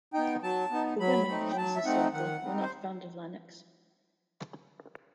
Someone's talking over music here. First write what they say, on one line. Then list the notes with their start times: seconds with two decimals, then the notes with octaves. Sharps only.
The women of Johnson's circle were not fond of Lennox.
0.13 B3 D#4 G5
0.42 F#3 A5
0.71 B3 D#4
1.00 F#3 B5
1.28 A3 C4 D#4
1.51 G5
1.56 F#3 A5
1.76 E5
1.85 A3 C4 D#4 F#5
2.13 D#3 F#5
2.42 G3 C4 D#4
2.61 C5